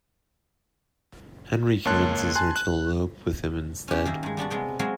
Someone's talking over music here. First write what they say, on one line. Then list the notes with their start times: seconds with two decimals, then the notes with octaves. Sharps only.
Henry convinces her to elope with him instead.
1.85 C#2 A#3 C#5 A5 C6 F#6
2.35 G#5 A5 C6 F#6
2.56 F#6
3.88 C#4 G4
4.05 D#3 A#3 D#4 E4
4.23 G2 G#3
4.37 G3 B3 D4 F#4
4.50 C3 G#3 B3 G5
4.79 F#3 G#3 A#3 C4 F4 F#4